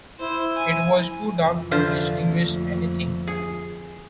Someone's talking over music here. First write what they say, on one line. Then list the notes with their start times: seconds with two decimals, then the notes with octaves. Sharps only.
It was too dark to distinguish anything.
0.20 E4 C5
0.56 G#5
1.40 F2 C3 E3
1.71 D3 F4 C5
2.24 F2 A3 A#3
3.27 G#4